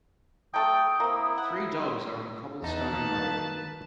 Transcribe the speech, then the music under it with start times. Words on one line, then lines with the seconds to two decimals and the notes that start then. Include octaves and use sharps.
Three dogs are on a cobblestone road.
0.54 F#3 A3 A4 G5 D#6
1.00 A#3 C4 E4
1.38 F#5
2.63 E2 D#4 B4 A5
2.92 D#3 A#3 D#4